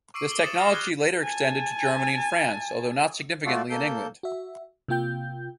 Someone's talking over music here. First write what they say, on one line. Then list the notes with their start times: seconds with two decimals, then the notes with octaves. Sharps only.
This technology later extended to Germany and France, although not significantly in England.
0.14 C#6 D6 E6 C7 D7 D#7
0.28 D6 F#7 G7
0.44 D#6 A6 C#7 D#7 E7
0.60 D#6 F6 A6 A#6 C7
0.72 D#6 F6 F#6 G#6 G7
1.23 G#5 A5
3.45 A3 F4 F#4 A4 D5
3.70 A#3 A4 G6
4.23 F#4 E5
4.88 C3 A#3 F4 G5 G6